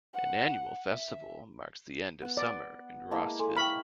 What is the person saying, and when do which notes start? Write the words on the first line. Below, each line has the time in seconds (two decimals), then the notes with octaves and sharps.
An annual festival marks the end of summer in Rossville.
0.13 F#5
0.87 E5
2.22 B3 F#5
2.37 D5
3.11 G#3 A#3 E4 A5 A#5
3.39 A4 G#5 C6
3.57 E5 G5 B5 C#6 F6